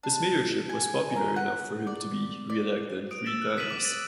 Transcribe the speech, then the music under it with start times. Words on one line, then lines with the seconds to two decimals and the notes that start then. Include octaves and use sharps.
His mayorship was popular enough for him to be re-elected three times.
0.03 D4
0.69 G#5
1.16 A#4
1.36 F#5
1.87 D5
2.50 D5
3.11 D#6 D7
3.26 E6 A6 E7
3.42 F#6
3.57 D#6 B6 D#7 F#7
3.71 D6
3.85 A6 F#7